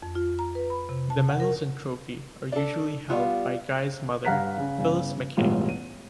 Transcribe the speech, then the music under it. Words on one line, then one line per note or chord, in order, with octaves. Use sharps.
The medals and trophy are usually held by Guy's mother Phyllis Mackay.
F2
F4
A#5
B4
B5
C3
A5
F#5
A#4
D4 A4
G3 B3 F4 F5
G2 F5 F#5 A#5 F#6 B6
C#3
G1 C#3
E1 A1 G2 F4
D#7